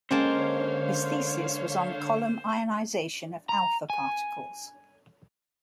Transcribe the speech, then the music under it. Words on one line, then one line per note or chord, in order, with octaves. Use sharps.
His thesis was on column ionization of alpha particles.
D3 G#3 A#3 C#4 C5 C#5 F5 A5
A#5
G#5